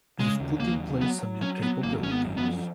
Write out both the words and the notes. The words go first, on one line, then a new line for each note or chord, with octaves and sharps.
We’ve put in place some new capabilities.
C#3 G#3
D#2
D#2 A#3
F#3
F#3 B3
F#3
F#3 C#4
F#3 B3
G#1 A#3
G#1 C#4
B3
F#2
B3
F3